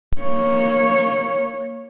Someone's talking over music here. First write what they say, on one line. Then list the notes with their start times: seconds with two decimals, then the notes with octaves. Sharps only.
He is a keen poet.
0.21 A#3 C#5